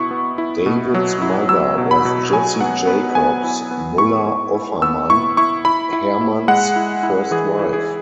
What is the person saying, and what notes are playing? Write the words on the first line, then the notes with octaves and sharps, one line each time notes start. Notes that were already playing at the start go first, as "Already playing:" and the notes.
David's mother was Jessie Jacobs Muller Offermann, Hermann's first wife.
Already playing: B2 B3 E4 C#6
B3
E4
B2
F#3
E4
F#3 E6
B2
B5
B2
F#3 G#5
B3 F#5
B3 B4
B3 G#5
E4
B3
E4 C#6
E4
E4
B3 E6
E4 C#6
E4 C#6
E4 B5
E4
E4
G#3 F#5
E4
E4
E3 G#4
E4
G#4